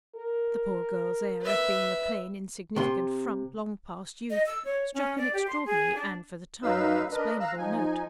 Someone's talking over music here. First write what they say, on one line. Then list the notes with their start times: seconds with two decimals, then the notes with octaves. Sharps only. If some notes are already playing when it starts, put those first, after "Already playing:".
The poor girl's air of being a plain, insignificant frump, long past youth, struck an extraordinary and, for the time, unexplainable note.
0.16 A#4
1.41 B4 E5
2.76 C3 C6
4.30 D#5
4.46 E6
4.65 C#5
4.94 C#4
5.17 D5
5.33 G4
5.47 C6
5.66 G#4
5.95 D4
6.63 F#2 F#3 D#4 B4 F5 E6
7.11 D4 A#4 B4 D#5
7.40 F5 A#5 E6 F#6
7.58 F3 D#4 G#5